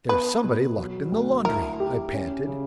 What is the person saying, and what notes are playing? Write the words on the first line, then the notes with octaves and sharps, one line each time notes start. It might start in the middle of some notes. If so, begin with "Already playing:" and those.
"There's somebody locked in the laundry," I panted.
B3 B4
B2
F#3
D2
E4 A#4
G4
C#4
C#3